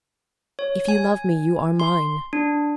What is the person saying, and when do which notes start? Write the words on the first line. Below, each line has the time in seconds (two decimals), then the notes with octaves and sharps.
If you love me, you are mine.
0.59 C#5
0.88 G#5
1.80 C6
2.33 D4